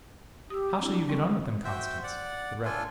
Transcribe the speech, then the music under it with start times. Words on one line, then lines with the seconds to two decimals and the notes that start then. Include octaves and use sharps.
"How shall you get on with them, Constance?" the Rev.
0.50 G4 D#6 E6
0.79 C4 D4 E4
1.09 G3 C4 C#4
1.65 F#4 C5 E5 G5
2.03 D5 F#5
2.65 D4 F4 A4 G#5